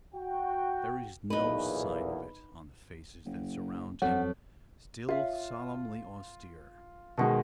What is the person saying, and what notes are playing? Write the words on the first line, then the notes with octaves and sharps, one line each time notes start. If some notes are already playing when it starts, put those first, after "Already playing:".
There is no sign of it, on the faces that surround him--still solemnly austere.
F#4 G5
B1 E2 A#2 D#4 B4
F#1
F2 F#3 C4 A4 C#5 F#5
F4 C#5 E5 F5
B2 D#3 G#3 F#5 A5